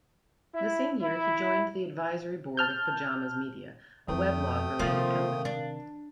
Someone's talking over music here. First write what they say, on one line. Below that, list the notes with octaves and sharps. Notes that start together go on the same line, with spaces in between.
The same year he joined the advisory board of Pajamas Media, a weblog-related company.
E4
E4
A5 F6 G6
F2 A3 G5 D#6
C3 D#3 F3 A#3 A#4 F5
D4